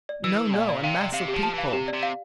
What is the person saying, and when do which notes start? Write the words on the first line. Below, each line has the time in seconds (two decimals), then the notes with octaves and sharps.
"No, no; a mass of people."
0.09 D5
0.24 E3 E6
0.39 E6
0.54 A#2 D5
0.69 D5
0.84 C3 F5
0.99 D5
1.13 C3 F5
1.28 G4
1.34 F3
1.43 A5
1.54 E3 F5
1.73 C3 G4
1.88 D5
1.93 C3
2.03 F5